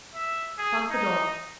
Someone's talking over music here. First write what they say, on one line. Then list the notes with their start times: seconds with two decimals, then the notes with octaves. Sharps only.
Lock the door.
0.15 E5
0.58 G#4
0.90 D#4